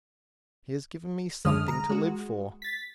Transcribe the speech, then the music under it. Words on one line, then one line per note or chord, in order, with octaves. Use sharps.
He has given me something to live for.
F#2 D3 G#3 D#6 F6
A#5
G#3 F#4
A6 B6